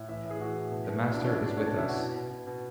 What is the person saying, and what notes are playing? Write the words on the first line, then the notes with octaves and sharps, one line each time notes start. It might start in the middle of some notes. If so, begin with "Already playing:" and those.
The Master is with us.
Already playing: A2
E3 E5
A2
G#4
E3 F#4
A2
B2
B2
B2 E4
D4
B2
C#4
B2 E4
D4
B2 C#4
B2 D4
E4
B2
F#4
B2
B2
B2
B2